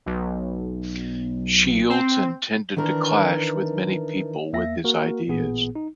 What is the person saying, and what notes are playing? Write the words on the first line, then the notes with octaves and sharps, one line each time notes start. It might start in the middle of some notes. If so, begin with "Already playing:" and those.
Shields and tended to clash with many people with his ideas.
B1
C4
D#3 E3 D4 A#4
E2 A#3 E5 A#6
A#3 F#4 A#4
A1 A#2 B3 G#4
D#4